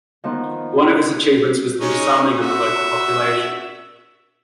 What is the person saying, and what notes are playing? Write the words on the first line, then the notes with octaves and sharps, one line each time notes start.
One of his achievements was the disarming of the local population.
D#3 F3 B3 C5
G#3 C#4 D#4
F#4 E5